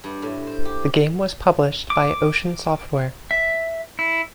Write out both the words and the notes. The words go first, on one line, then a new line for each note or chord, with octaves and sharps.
The game was published by Ocean Software.
G2
A2
C5
G4
D6
E5
E4